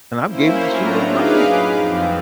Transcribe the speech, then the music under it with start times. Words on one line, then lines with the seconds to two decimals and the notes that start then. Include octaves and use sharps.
and I've gave 'em the shoes off my feet,
0.23 A#3 C#4 E4 C5
0.63 A2 F#3 D4 F4 A#5
1.02 D#4 G#4 B4 F5 D6
1.41 F#2
1.77 F2 F3 C4